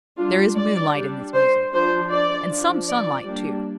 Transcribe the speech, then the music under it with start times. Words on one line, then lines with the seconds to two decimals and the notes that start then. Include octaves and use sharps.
There is moonlight in this music, and some sunlight, too.
0.17 G3 D4 F4
0.57 D5
0.95 G3 D4
1.34 C5
1.72 F3 D4 C5
2.11 D5
2.50 F3 D4
2.89 D5
3.28 G3 A#3 D4